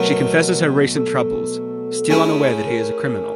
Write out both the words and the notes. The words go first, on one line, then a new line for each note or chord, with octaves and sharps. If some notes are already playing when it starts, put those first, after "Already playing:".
She confesses her recent troubles, still unaware that he is a criminal.
Already playing: B2 F#3 A3 A#4
A4
A3 C#4 E4 G#4
A#4